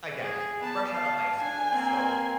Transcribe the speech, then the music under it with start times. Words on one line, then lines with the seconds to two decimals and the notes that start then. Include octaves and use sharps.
again, fresh out of high school. So,
0.18 G#4
0.60 B3 A5
0.91 F5 A5
1.39 D4 G#5
1.71 A#3 C4